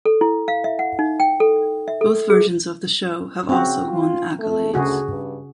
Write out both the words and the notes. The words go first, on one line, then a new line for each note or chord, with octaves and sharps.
Both versions of the show have also won accolades.
A4
E4
F5
E5
F#5
D#4
G5
A4
E5
A4
G#4
C#3 C4 F#4
F4
A3
D2 C#3 F#4 G#4
G2